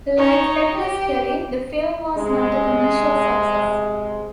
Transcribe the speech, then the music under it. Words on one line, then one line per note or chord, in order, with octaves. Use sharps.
Like "Reckless Kelly", the film was not a commercial success.
D#4 C#5
G4
C3 G#3